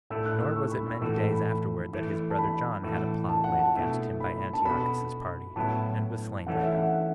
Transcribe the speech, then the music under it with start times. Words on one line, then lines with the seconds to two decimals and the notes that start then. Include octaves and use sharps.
Nor was it many days afterward that his brother John had a plot laid against him by Antiochus's party, and was slain by them.
0.10 A2 A3 E4 A4 E6
0.26 F#6
0.41 E6
0.56 C#6
0.72 B5
0.87 E6
1.01 A2 E3 A3 F#4 A4
1.32 B5
1.93 E3 A3 E4
2.30 A5
2.38 B5
2.83 A2 E3 A3 F#4 A4
3.29 A5
3.44 F#5
3.59 A5
3.75 B2 A3 E4
4.20 B5
4.53 A5
4.65 B2 B3 F#4 A4 B5
5.56 A2 F#3 B3 E4 A5
6.47 E3 A3 C#4 A4 F#5
6.62 E5
6.77 F#5
6.92 F#5